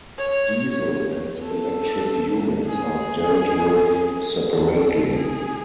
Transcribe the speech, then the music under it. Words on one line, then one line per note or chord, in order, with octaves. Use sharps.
Diesel and electric units are dealt with separately.
C#5
A4
G#4
A4
G#4